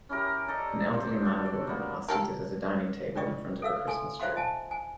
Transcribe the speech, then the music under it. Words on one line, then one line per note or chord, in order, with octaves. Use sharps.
An elderly man and woman are seated at a dining table in front of a Christmas tree.
C#4 E4 G4 A#4
A4 D5 D#5 A#5
C4 C5
D4 F#4 G4 A4
D5
A#3 B3
G4 A4 A#4
D4 F4 D5 D#5 G5 C#6
A4 E5 F5 E6
A4 G#5 C6
F4 C5 E5 F5 C6
D#5 G#5 A5
G#5